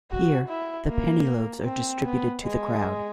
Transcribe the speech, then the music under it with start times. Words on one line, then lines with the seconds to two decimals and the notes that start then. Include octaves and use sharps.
Here, the penny loaves are distributed to the crowd.
0.11 F#4
0.49 E4
0.88 A#3
1.65 C4
2.04 B3
2.43 G#3